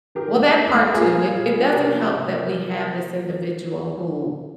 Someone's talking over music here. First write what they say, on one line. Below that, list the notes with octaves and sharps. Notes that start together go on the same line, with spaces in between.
Well, that part too, it it doesn't help that we have this individual who
D#3 G4 A#4
G#3 C4
D#3
G#3 C4
A#4
A#2 F4 G#4
G3 A#3
A#2
G3 A#3
C3 G4 A#4
F3 A#3
C3
F3 A#3